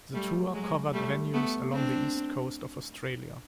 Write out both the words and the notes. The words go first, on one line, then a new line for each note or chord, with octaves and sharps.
The tour covered venues along the east coast of Australia.
G3 A3
F#3 G#3
G3 A3
A3 B3
C4 D4